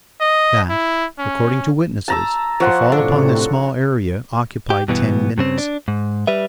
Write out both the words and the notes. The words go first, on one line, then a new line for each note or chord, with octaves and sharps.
That, according to witnesses, the fall upon this small area occupied ten minutes.
D#5
E4
C#4
A5 A#5 E6
F3 C#5 F#5 C6
A2 C3 D4 A4
G4
G2 B2 E3 B3
G2 C#3 C4
D4
G#2
G3 B4 E5